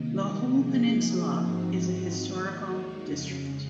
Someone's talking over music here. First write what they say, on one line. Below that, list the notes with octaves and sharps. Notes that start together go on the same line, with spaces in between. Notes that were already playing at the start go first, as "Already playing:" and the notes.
The whole peninsula is a historical district.
Already playing: C3 D#3 A#3 D#4
F3 A#3 D#4 G#4
G#2 F3 C4 D#4 F#4
D#2 D#3 G#3 D#4 F#4
F2 C#3 G#3 C#4